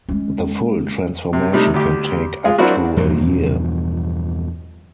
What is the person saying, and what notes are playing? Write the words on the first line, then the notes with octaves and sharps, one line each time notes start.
The full transformation can take up to a year.
G#3 C#4
C3
C3 G3 A3 D#4
D2 G4
G#3 F4 G#4
F#3 C4 D4 E4 F#4 A#4
E2 G2 B2 F3